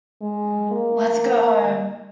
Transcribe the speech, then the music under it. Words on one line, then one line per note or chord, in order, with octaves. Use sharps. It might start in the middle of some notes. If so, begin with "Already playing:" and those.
Let's go home.
G#3
A#3